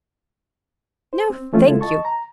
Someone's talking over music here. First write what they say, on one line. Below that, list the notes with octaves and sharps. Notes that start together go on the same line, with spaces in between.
'No, thank you.
C5
C4
E3 F3 A3 C4 C#4 F4
C#3 G#3 E4 F4 A4
D#5 A5 C#6
A#5